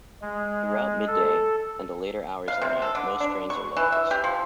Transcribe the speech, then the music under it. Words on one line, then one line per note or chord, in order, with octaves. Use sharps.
Throughout midday, and the later hours of the night, most trains are locals.
G#3
A4
F5
C3
A4
D3
D4
C#6
E3
E5
G4
F3